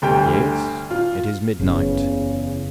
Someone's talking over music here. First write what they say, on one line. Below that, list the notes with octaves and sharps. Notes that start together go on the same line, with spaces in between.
"Yes, it is midnight."
G1 D2 G4 G5
F4
F#1 E2 C#3 C#4